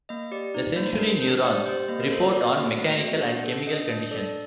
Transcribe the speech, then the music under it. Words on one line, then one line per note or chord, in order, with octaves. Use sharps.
The sensory neurons report on mechanical and chemical conditions.
A#3 D#5
G4 D5
D#4 D5
A#3 C5
D4 A#4
D4 C5
G4 D5
G4 C5
A#3 D#5
A#4
A4 C5
D5
F#4 D5
A#3
A3
F#4
D4 F#5
A4
D4 D#5
D4
A4 D5